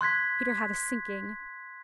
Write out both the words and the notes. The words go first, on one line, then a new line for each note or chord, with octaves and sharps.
Peter had a sinking.
C6 F#6 G#6 B6